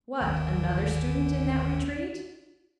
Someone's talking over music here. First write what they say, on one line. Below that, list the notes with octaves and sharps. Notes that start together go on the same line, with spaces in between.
"What--another student in that retreat?"
G1 D#2 D#3